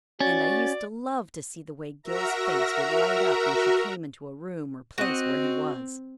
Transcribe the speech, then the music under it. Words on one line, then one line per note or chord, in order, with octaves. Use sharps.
And I used to love to see the way Gil's face would light up when she came into a room or place where he was.
C#4 F#4 D5 A6
F#4 A#4 E5 A#5
C4 F#4 D#5